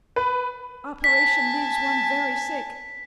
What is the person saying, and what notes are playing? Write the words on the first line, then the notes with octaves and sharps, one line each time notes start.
Operation leaves one very sick.
B4
G#5 A5 B6